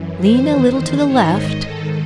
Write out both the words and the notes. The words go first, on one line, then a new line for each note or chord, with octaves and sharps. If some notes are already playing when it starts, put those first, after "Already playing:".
Lean a little to the left.
Already playing: F#2 E3
C5
E2 D#3
C5
G#2 D#3 C#5
D#5
G#2 D#3 A4